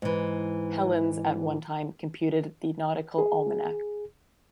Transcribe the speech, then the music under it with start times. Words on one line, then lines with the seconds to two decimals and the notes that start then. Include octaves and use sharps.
Hellins at one time computed the "Nautical Almanac".
0.02 G#2 E3
3.18 G#4